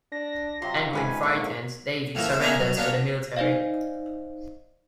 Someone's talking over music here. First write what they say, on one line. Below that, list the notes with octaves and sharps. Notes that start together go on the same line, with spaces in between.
Angry and frightened, David surrenders to the military.
D4 A#6
C3 F#3 F4 G4 C6
G#2 C3 C#4 B4 G#5
A#2 C#5
A2 E3 F3 A#3
E4 C5
A#3 B3 D#4 E5 G#5 A#5
F#3
A#3 B3 C#4 D4
D#4 C5 D5 D#5 F5